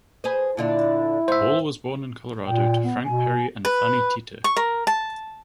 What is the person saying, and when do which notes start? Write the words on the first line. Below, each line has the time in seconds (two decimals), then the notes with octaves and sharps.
Paul was born in Colorado to Frank Perry and Fanny Teeter.
0.24 G#4 B4 C5
0.57 A#2 D3 D4 E4
1.28 G#2 C5 E5
2.46 A#2 G5
2.83 B3
3.04 B2 G#5
3.65 B4
4.44 C#6
4.57 A#4
4.87 A5